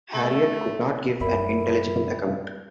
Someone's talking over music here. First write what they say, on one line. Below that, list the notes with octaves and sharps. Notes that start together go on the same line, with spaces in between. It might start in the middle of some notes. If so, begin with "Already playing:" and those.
Harriet could not give an intelligible account.
A3
F#2 A#4 D5 E5 B5